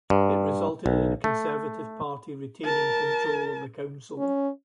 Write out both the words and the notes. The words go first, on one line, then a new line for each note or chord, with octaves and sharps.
It resulted in the Conservative Party retaining control of the council.
G2
B1
A3
A#4 A5
C#4